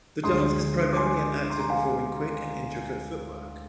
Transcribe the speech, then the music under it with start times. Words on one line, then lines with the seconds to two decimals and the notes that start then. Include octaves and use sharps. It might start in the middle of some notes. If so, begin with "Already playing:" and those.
The dance is primarily an act of performing quick and intricate footwork.
0.23 D2 D3 G#3 C6 D#6
0.93 D6
0.97 G#5 C6
1.50 C6
1.59 A#5
1.70 F5 G#5